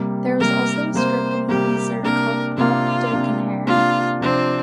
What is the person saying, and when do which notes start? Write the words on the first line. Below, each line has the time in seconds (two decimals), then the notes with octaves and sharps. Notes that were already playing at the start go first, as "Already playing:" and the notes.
There was also a strip in The Beezer called Pop, Dick and Harry.
Already playing: C3 G3 A#3
0.40 C3 G3 A#3 A#4
0.94 C3 G3 A#3 C5
1.49 C3 G3 A#3 G4
2.03 C3 A#3 D4 A#4
2.57 C3 A#3 D4 F4
3.13 C3 A#3 D4
3.66 C3 A#3 D4 F4
4.21 C3 F3 C4 D4